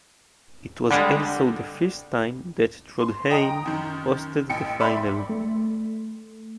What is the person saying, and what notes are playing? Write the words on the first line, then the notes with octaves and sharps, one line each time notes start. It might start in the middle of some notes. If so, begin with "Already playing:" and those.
It was also the first time that Trondheim hosted the final.
D3 G3 G#3
C6
D#5 G5 A#5 D#6
F#2 D#3
A1 G5 C#7
D5 E5 B5 C6
A3